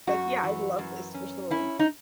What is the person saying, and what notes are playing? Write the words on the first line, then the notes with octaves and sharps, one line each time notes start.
Like, yeah, I'd love this for sure.
F#2 F#4
E3
F#2
C#4
C#4 E4
D#4